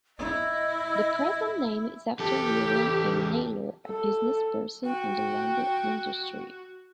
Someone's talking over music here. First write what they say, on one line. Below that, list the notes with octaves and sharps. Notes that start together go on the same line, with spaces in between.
The present name is after William A. Naylor, a businessperson in the lumber industry.
E4 D#5
E2 G4 A4
A4
F#4 G5